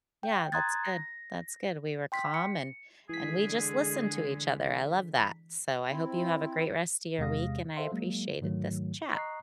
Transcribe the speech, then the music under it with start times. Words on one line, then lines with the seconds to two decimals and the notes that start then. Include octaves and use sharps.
Yeah, that's good, that's good, we were calm, and and we just listened to each other, I love that, so, I hope you have a great rest of your week and I appreciated this chat.
0.23 G5
0.52 A#5 C6 D#6 F#6 G#6 A6
0.85 A#6
2.12 G5 C6 B6
2.34 C#7
3.09 D3 E3 G#3 G#4 B6
5.90 C4 E4
7.18 E2 C3 G#3 F5 D#6 A#6
7.77 A4 C5 E5 F5 C6
7.92 F#3 G#3 A#3
8.41 G#2 D#3 F#3 A3
9.15 D#5 A#5 C#6 D#6 F#6 C7